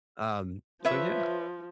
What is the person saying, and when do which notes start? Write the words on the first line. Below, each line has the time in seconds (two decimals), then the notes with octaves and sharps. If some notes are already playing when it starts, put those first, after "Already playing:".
Um so yeah,
0.85 F3 B4 C#5 E5